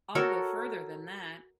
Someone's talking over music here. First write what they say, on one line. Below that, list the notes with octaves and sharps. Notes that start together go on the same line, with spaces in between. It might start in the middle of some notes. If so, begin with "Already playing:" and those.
I'll go further than that.
F#4 A4 A#4 C#5